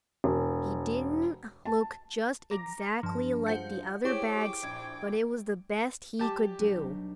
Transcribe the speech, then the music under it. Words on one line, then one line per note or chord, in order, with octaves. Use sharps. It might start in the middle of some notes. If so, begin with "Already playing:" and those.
He didn't look just exactly like the other bags but it was the best he could do.
E1
A5
A#5 D6 A#6
G2 F3 A5
G#3 F4 C5 F#5 G6 C#7
E4 G4 G#4 C5 C#5 G5 C#6 D6
A#1 G#6
G3 G4 G#5 A5 D6
B1 F#3 D4